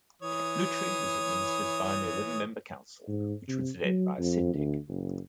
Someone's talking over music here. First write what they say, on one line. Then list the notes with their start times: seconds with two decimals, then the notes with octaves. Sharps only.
Lutry was administered by an eleven-member council which was led by a Syndic.
0.22 E3 C#5 D#6
3.08 G#2
3.48 C3
3.84 F#3
4.19 F2
4.54 D2
4.89 F#1